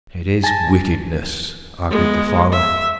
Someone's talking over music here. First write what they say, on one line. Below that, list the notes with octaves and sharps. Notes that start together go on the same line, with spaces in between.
"It is wickedness," argued the father.
G#5 A5 A#6
G#3 B3
E5